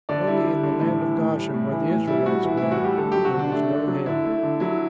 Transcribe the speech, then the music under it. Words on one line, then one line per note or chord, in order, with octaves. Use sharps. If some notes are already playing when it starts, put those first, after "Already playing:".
Only in the land of Goshen, where the Israelites were, there was no hail.
D3 D5
G3 E4
G3
D3
A2
E3
A2
G3
A2
E3
A2
G3 E4
E4
A2 F#4
E3 E4
A2 E4
F#4
G3 G4
D3 A4
F#3 G4
F#4
D3
D4
A3 D4
D3
F#3
D3 E4
A3
D3
F#3 E4